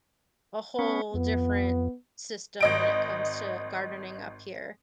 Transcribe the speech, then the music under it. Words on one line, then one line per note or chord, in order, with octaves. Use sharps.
a whole different system when it comes to gardening up here,
B3 C#4
F2 B3
G#1 D#5 D7